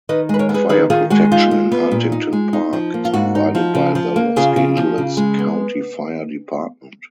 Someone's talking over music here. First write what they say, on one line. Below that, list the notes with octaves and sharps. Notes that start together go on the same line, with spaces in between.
Fire protection in Huntington Park is provided by the Los Angeles County Fire Department.
D#3 B4 D#5
G#3 B4
A#4 C#5
B3
G#4 B4
D#3 G#4 B4
D#3 F4 G#4
G#3 F#4
D#4 F4
G#3
B3
A#2
D#4
G#3
D#4
F3
A#3
F4
G#2 F#4
D#4
F3
C#3
F3
A#3
C#3 F4 G#4
C#3
F3
C#3
G#3
B3